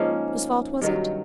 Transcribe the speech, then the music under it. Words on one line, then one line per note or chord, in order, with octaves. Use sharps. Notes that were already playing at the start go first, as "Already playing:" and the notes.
Whose fault was it?
Already playing: G#2 F3 A#3 C#4
G2 D#3 F#3